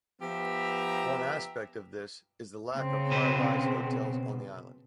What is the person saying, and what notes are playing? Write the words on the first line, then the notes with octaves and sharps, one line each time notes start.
One aspect of this is the lack of "high rise" hotels on the island.
F3 B3 G4 E5 A#5
C#3 C4
B2 B4 C5